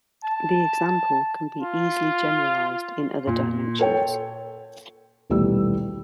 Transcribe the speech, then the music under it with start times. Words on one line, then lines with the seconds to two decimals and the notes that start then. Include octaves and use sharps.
The example can be easily generalized in other dimensions.
0.25 A5
1.61 F4
3.27 A#2
3.79 A4 C#5 G5
5.30 D#1 B1 E3 G3 A3 E6